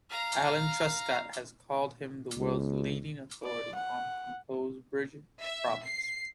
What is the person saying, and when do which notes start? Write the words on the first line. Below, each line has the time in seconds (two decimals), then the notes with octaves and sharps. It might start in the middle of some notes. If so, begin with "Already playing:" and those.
Alan Truscott has called him "the world's leading authority" on composed bridge problems.
0.10 F5 A#5
2.38 C#2
3.44 D5
3.75 F#5
5.42 E5
5.84 C7